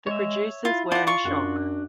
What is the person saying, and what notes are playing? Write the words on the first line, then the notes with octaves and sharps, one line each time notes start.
The producers were in shock.
G#3 C#5 E5
E4 F4
F4 D5 F#5 A5
F4 C#6
F#2 D4 F#4